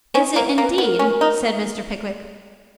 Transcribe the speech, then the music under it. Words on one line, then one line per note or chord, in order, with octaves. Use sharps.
'Is it, indeed?' said Mr. Pickwick.
C#4 D#4
E4
A#3
B4
A#3
B4
B3 A#4
C#4
D#4